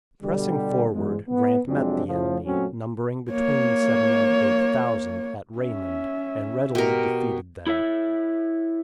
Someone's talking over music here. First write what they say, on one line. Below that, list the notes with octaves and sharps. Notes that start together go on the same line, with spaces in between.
Pressing forward, Grant met the enemy, numbering between seven and eight thousand, at Raymond, and readily defeated them.
B2 D3 G3
E2 G#2 G#3
B3
F2 C3 F#3 G#3 C4 D4
A2 C#3 F3
F#2 A#2 F#3 A3 C4 C#4
A#3 C#5
C#4 E5
B2 G4 A#4
E4 A4 C#5 E5